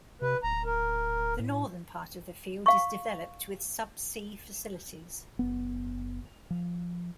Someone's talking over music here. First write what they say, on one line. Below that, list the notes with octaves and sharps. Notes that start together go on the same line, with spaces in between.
The northern part of the field is developed with subsea facilities.
C3 B4
D1 A#5
A#4
A2
F5 C#6
F#1 B3
F3